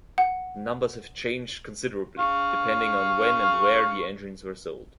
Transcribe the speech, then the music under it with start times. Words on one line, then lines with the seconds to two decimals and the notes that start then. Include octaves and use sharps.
The numbers have changed considerably, depending on when and where the engines were sold.
0.18 F#5
2.19 F5 C#6